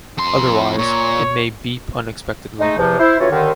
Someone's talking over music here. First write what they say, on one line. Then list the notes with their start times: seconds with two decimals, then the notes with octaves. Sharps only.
Otherwise, it may beep unexpectedly.
0.18 F2 C6
0.79 A#2 C#5
2.59 G#3 A3 D#4
2.77 E2 C3 F3
2.99 E4 C5
3.19 A2 C#3 E3 F4 F#4 C#5
3.31 D#2 D3 D#3